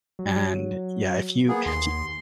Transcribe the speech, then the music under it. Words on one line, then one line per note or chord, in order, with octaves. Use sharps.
and, yeah, if you y
F#3
A#3 B3 G#4
D#2 C6